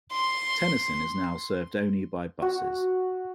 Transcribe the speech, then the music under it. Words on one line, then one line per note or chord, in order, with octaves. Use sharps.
Tennyson is now served only by buses.
C6
F#4